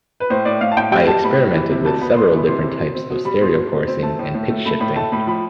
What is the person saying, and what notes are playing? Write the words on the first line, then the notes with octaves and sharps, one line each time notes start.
I experimented with several different types of stereo chorusing and pitch-shifting.
B4
A2 C5
A2 D5
A2 F5
A5
A2 G5
G3 G5
G3 A5
A2 B5
G3
E3
C3
D2 A5
B3 B5
B3 C6
E3 B5
C3 C6
E3
B2
C4
B2
G3 B5
B2 C6
B2
B2
C4
A3 A5
A2
A2
A3
A3 B5
A2 B5
A3 A5
A2 B5
F3 B5